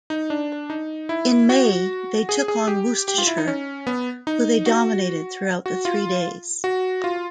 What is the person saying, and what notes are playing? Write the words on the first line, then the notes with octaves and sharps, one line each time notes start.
In May they took on Worcestershire, who they dominated throughout the three days.
D#4
D4
D#4
E4
F#4
G#4
G#4
G4
G4
F4
E4
D#4
C#4
B3
D#4
F#4
F#4
F4
F#4
F4